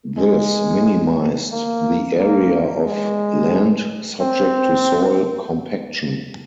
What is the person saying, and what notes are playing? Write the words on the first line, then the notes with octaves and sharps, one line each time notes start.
This minimized the area of land subject to soil compaction.
G#3
A#3
A#3
G#3
C4